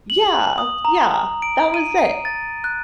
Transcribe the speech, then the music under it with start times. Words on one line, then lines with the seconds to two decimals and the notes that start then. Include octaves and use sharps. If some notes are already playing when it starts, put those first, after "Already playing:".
Yeah, yeah, that was it.
0.10 F#7
0.58 D#6
0.85 A#5
1.42 D7
1.74 D#7
2.25 A6
2.64 F#6